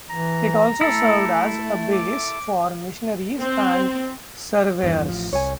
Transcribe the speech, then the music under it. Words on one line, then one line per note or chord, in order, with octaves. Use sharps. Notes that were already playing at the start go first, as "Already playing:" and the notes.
It also served as a base for missionaries and surveyors.
E3 A#5
A3 E4 A4
D6
C4
E2 G2 E3
A1 F3
C2 C#5 G#5